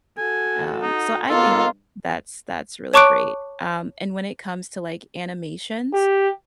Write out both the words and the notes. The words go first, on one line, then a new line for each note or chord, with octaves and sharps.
Um, so I think that's that's really great. Um, and when it comes to, like, animations,
F#4 A4 G#5
D#4
C#2 D#3 A#3 B3 F4 A4
C#5 A5 C#6 D6 F#6 D7
G4